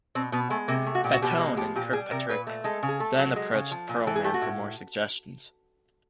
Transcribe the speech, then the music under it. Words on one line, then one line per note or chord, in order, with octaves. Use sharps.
Fatone and Kirkpatrick then approached Pearlman for more suggestions.
B2 C4
B2 B3
G#3 A3
C3 A#3
A3
F#4
A#2 G4
F#4
B2 G4
G#3
F3 G4
A#2 G4
G3 G#4
C3 A#4
A#2 B4
A3
G#3 A4
C#3
G#4
A3 A4
F#3
G#3
C#3
F3
A#2
E3 A4
G#4
A3 G4
F#4
A2